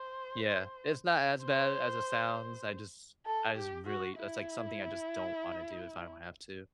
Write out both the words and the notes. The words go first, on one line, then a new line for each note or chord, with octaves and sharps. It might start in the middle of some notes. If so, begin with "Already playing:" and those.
yeah, it's not as bad as it sounds, I just I just really it's like something I just don't wanna do if I don't have to.
Already playing: C5
C5
A4
G4
F#4
E4